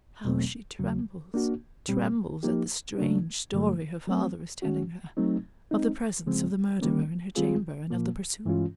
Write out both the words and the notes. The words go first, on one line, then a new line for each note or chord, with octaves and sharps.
How she trembles!--Trembles at the strange story her father is telling her, of the presence of the murderer in her chamber, and of the pursuit.
E2 B2 F#3 A3 C4
E2 C#3 F#3
A#3 D4 F#4
A#2 G3 C4
F3 A#3 D#4 G4
C#3 F#3 A3 D4
G2 D3 F#3 A3
F#3 A3 C4
D#3 G#3 C#4 F#4
F#3 A3 C4 D#4
G#3 C4 D#4
C#3 F3 G#3 C4
D#3 G3 A#3 C#4
D#3 G3 C4 F4 G#4
A#2 F3 A#3
G2 E3 G#3 C#4 F4